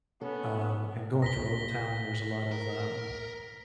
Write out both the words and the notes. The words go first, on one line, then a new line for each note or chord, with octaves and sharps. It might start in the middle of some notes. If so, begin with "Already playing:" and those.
um, and going through Old Town, there's a lot of, um,
B3 C#4 F#4 A4
A#6 B6 G7
A#4